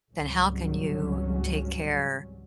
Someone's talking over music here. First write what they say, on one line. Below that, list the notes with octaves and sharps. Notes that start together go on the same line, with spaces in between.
then how can you take care
G#1 C#2 G#2 F#3 G3 C#4